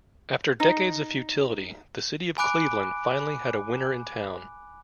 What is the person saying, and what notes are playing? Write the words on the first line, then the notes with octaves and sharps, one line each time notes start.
After decades of futility, the city of Cleveland finally had a winner in town.
D#4
G#5 B5 D6 F#6 D7